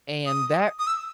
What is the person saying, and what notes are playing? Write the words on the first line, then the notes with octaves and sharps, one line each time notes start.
and that
D#6
D#6
E6